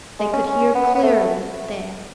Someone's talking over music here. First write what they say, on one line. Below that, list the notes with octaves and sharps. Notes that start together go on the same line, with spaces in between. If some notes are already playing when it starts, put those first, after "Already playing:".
They could hear clearly there.
G#3
C#4
C#4
B3
B3
A3